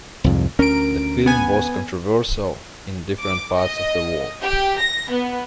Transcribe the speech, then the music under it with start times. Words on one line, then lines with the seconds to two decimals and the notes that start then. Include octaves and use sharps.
The film was controversial in different parts of the world.
0.24 C2 F2 G#2
0.59 D2 C#4 A#4 D7
1.26 B3 G#5
3.21 D6
3.56 D#5
4.43 G4
4.80 A#6
5.12 B3